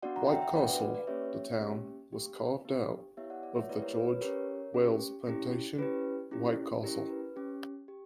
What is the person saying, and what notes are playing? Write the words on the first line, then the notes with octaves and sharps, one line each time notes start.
White Castle, the town, was carved out of the George Wailes plantation, "White Castle".
B3 D4 F#4 D5 F#5
F#5 A#5
E5 G5
E5 G5
B3 D4 F#4 D5 F#5
B4 D5
B4 D5
B4 D5
A#3 C#4 G4 C#5 E5
A#3 C#4 G4
B3 D4 G4
B3 D4 G4
B3 E4 G4 C#5 E5
D5 F#5
D5 F#5
C#5 E5
B3 E4 G4 B4 D5
A#4 C#5
B4
B4
C#4 G4 A#4 C#5
C#4 G4
C#4 E4 G4
C#4 E4 G4 B4
C#4 E4 G4
C#4 E4 G4 A#4
B4
C#4 G4
G4